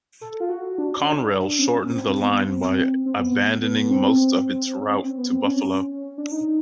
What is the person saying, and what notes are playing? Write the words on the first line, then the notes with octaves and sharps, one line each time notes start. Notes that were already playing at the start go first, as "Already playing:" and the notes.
Conrail shortened the line by abandoning most of its route to Buffalo.
A4
F4
F#4
D4
D4
C#4
D4
C4
C#4
C4
C4
B3
B3
C4
C4
B3
B3
C4
C4
C#4
C4
C#4
C4
B3
C4
C#4
D4
D#4